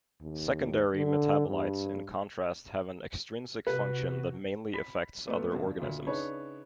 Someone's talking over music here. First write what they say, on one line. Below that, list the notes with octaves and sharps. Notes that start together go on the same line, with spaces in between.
Secondary metabolites in contrast have an extrinsic function that mainly affects other organisms.
D#2
D3
G2
C3 F#4 B4
B5 B6
A#2 A3 B3
E2 G2 B2 D3
D2 A#2
C#3 D4 D#4 G#4 B4 C#5